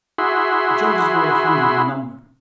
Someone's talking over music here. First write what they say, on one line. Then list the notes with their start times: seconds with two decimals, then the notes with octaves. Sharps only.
The judges were a hundred in number.
0.18 E4 F#4 G#4 B5 C6